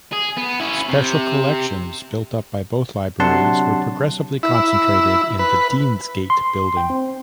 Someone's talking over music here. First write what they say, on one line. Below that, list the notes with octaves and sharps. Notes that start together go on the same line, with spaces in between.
Special collections built up by both libraries were progressively concentrated in the Deansgate building.
G#4
B3
C#4 E4
C3
C3 F#3 D4 F#5 A5 C6
E4
B4
C6
G5
C4